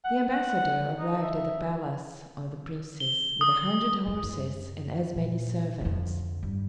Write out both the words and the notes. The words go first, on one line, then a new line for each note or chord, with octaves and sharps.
The ambassador arrived at the palace of the Princess with a hundred horses and as many servants.
F#5
F#5
D#4
E5
G7
D#6
F2
F#2
A#2
F2 D3
G2